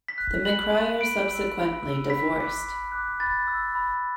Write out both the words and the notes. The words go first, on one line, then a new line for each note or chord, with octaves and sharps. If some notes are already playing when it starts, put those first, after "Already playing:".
The McCrerys subsequently divorced.
B6
F#6
B5 F#7
F#6
B5 D7
E6
B5
E6
B5 B6
D6 F#6
B5
D6 F#6
B5 A6
E6
B5